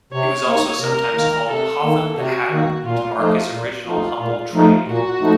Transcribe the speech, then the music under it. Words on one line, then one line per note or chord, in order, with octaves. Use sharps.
He was also sometimes called Hotham the Hatter, to mark his original humble trade.
C3 C#5
D#3 A#3
C3 A#4
D#3 A#3
C3 A4
D#3 A#3
C3 F#4
D#3 A#3
A#2 F4
F3 A3 D#4 F4
A#2
F3 A3 D#4 F4
A#2 F4
F3 A3 D#4 F4
A#2 F#4
F3 A3 D#4